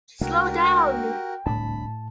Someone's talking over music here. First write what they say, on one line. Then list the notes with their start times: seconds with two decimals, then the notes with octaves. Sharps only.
Slow down!
0.21 C2 G#3 A3 D4 F#4 A#4 G5
1.46 D1 C2 A2 D4 A5 B5